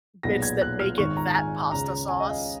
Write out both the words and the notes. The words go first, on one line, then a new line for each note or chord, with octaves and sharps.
bits that make it that pasta sauce.
B1 A#2 G#3 B3 A#6
G#6
F#6
F6
G#1 G#2 D#3 G#3 C#6
A#5
G#5
C#2 C#3 G#3 C#4 A#5
G#5
D#5
F5